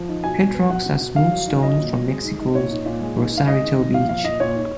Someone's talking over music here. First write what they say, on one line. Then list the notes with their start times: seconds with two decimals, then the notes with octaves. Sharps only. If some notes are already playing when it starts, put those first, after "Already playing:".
Pet Rocks are smooth stones from Mexico's Rosarito Beach.
Already playing: F3
0.09 D#4
0.24 B2 G#5
0.39 B2
0.54 B3
0.69 B2 F#5
0.86 B2
1.01 B2
1.16 F#3 F5
1.31 F#3
1.47 D#4
1.63 F#3 D#5
1.78 A#2
1.94 F#3
2.09 G#3
2.24 D#4
2.40 D#4
2.55 A#2 C#5
2.71 D#4
2.86 A#2
3.01 G#3
3.16 D#4
3.32 D#4
3.38 F5
3.47 G#3 D#5
3.63 D#3
3.78 D#3
3.94 A#2 F5
4.09 F3 F5
4.25 A#2 D#5
4.40 A#2 C#5
4.55 D#4